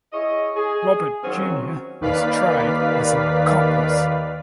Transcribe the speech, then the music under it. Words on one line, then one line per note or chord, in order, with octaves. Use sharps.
Robert Jnr was tried as an accomplice.
E4 G#4 C#5 D#5
G#4
D#3 F#3 C4 C#4 F4 F#4
D#2 D#3 B4 D5 F5 B6